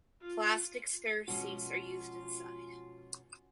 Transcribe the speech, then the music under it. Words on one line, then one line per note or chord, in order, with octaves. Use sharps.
Plastic Ster seats are used inside.
F4
B2 F3 G#3 C#4 F4 F#4